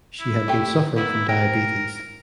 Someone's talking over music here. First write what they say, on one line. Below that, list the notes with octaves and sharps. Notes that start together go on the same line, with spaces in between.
She had been suffering from diabetes.
E4
A3 G4
D#3 A#3 B3 E4
G4 A#4 G5